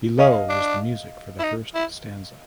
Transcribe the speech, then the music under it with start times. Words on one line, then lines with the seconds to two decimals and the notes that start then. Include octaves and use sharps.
Below is the music for the first stanza.
0.18 C#4 D#5 F5
0.49 D4
1.39 E4
1.43 D#4
1.75 E4